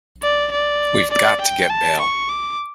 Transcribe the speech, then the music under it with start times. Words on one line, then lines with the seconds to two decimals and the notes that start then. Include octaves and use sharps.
We've got to get bail.
0.22 D5
0.51 D5
1.10 D5
1.41 G5
1.70 A5
2.00 C#6
2.29 D6